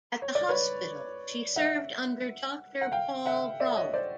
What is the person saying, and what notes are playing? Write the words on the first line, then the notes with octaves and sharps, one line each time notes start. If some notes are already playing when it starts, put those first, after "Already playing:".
At the hospital she served under Doctor Paul Grauwin.
C#5
D5
B4 C#5
E5 F#5
F#5
F5 G5
E5 F#5
D5 E5
C#5 D#5
C5 D5